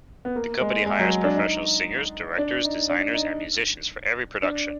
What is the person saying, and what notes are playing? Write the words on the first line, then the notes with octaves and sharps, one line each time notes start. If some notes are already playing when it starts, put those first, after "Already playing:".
The company hires professional singers, directors, designers and musicians for every production.
B3
A#3
G#3
G#3
F#3
D4
D#4
D4
D#4
D4
D#4
D4